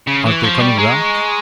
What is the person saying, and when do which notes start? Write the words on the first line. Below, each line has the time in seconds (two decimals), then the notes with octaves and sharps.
"Aren't they coming back?"
0.07 C#3 C#6
0.25 E3 C#6
0.43 F3
0.55 C#6
0.60 G3
0.78 G#3 A#5
1.02 C#6